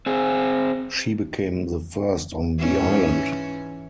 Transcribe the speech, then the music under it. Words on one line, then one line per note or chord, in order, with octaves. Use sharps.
She became the first on the island.
C4 G#4
G#2 E3 C#4